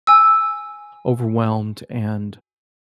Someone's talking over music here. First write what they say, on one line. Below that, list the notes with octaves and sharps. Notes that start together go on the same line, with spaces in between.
overwhelmed and
G#5 E6